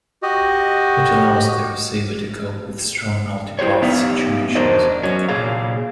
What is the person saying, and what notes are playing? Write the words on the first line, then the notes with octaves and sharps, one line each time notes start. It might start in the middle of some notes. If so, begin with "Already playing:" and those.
It allows the receiver to cope with strong multipath situations.
F#4 G4 D#5
E4 G4 C5 C#5
B3 D#4 G4 E5 F5
E2 D4 F#4 A#4 C5 D#5
F#3 C#4
A#2 G#4 F5